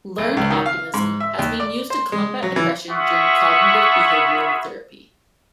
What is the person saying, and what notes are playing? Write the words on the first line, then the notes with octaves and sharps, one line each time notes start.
Learned optimism has been used to combat depression during cognitive behavioral therapy.
B1
C#2
D#3
F5
G#2
E5
D#2
D5
C5
G#3
F#3
E3
F4 G#4 E5 F#5 B5 C#6